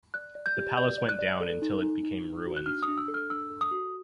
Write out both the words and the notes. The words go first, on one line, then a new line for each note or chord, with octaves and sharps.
The palace went down until it became ruins.
D5 F#6
D5
G6
G4
D5 G6
D5
F#6
D5
A4
D#4
D#4
D#4
D#4
F#4
F#6
D4 F6
D#6
D4
E6
A4
F6
D4 E6
A4
D#6
F#4